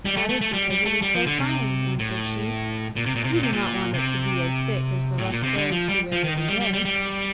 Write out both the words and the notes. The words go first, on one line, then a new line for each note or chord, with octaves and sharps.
'That is because it is so fine,' answered she; 'you do not want it to be as thick as the rough clothes you wear every day.'
G3
A3
A3
A3
G3
G3
A3
G3
F3
D3
C3
A2
A#2
C3
A#2
C3
A#2
C3
A#2
C3
A2
A#2
C3
D3
F3
G3
F3
D#3
D#3
G3
G3
G3
G3